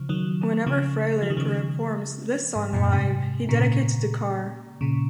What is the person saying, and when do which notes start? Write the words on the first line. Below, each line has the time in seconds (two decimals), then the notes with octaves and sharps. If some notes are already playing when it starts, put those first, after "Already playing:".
Whenever Frehley performs this song live, he dedicates it to Carr.
Already playing: C#3 F3
0.09 D#3 F#3
0.67 C#3 F3
1.22 F3
1.30 D#3
1.37 C#3 F3
2.55 G#2
2.73 F#2 A#2
2.93 G#2 C3
3.49 A#2 C#3
4.81 A#2 C#3